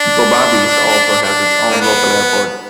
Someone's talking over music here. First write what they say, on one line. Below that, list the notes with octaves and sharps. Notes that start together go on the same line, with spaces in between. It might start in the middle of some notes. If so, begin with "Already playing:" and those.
Gobabis also has its own local Airport.
Already playing: D4
D4
A#3
B3